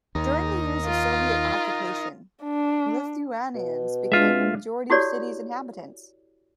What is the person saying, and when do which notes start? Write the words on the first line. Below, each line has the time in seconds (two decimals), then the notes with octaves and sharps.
During the years of Soviet occupation, Lithuanians became the majority of city's inhabitants.
0.15 D#2 D#4 A#4
0.85 F4
2.43 D4
3.55 B2
4.12 G#3 D4 F4 E5
4.90 E4 F#4 G4 A4 C#5 D5